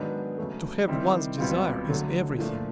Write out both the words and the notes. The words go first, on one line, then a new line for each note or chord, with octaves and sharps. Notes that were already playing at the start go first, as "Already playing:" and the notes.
To have one's desire is everything.
Already playing: G#2 D#3 F#3 B3 D4
C#3 F#3 A3
D#3 G3 C4 E4
C#2 B2 G3 C4 F4
D3 F#3 A3
A#2 F3 A3 D4